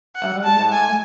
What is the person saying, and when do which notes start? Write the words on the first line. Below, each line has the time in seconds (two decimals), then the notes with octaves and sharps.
Oh, no.
0.15 F#5
0.44 A5
0.72 G#5